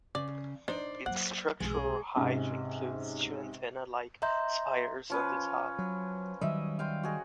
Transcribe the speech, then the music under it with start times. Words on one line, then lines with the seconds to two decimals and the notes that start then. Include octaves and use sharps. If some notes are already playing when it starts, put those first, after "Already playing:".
Its structural height includes two antenna-like spires on the top.
0.15 C#3 D5
0.68 D4 D#4 C5 D5
1.06 F#3 A#3 F#5
1.60 B1 F2 G#3 G#4
2.16 G#2 C3 C#4
4.22 D#5 E5 A#5 C6 G6
5.10 F3 C#4 B4
5.79 F#3
6.41 D#3 F#3 G3 D#5 E5
6.79 F5 G5 C6
7.03 F#4 G#4 D#5